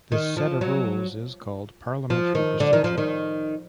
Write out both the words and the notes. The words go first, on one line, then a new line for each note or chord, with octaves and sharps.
This set of rules is called parliamentary procedure.
D#3
F3
F#3
F3
D#3
D3
D#3
F3
D#3